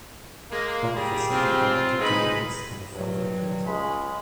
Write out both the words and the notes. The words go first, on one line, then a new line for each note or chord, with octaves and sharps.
All of a sudden I wanted to do this, and I felt I could.
G#3 A#3
G3 G4 G#4
C4 F4
G#3 D#4 B4 B5
G2 F#3
C#2 G#3 B5